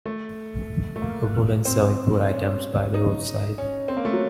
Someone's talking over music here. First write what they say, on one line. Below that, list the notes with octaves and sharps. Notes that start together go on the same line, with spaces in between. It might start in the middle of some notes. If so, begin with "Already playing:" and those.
A woman selling food items by the roadside.
A3
A3
A#3
C4
C#4
D#4
C#4
C4
A#3
A3
F#3